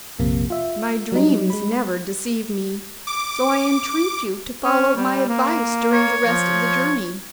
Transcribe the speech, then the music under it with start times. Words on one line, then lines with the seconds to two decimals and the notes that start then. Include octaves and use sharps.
My dreams never deceive me, so I entreat you to follow my advice during the rest of the journey.'
0.19 A#1 F2 C3 A#3
0.50 F4 E5
1.12 F#3 G3 D#4
1.50 G#3 B5
3.07 D6
4.65 C#4
4.96 G3
5.29 A#3
5.93 C#5
6.26 F3